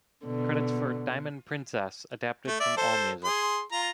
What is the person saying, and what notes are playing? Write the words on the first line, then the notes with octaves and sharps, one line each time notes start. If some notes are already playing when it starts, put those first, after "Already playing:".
Credits for "Diamond Princess" adapted from Allmusic.
B2 D3
A3
D5 E5
A4 C5
G#4 C6
F4 A#5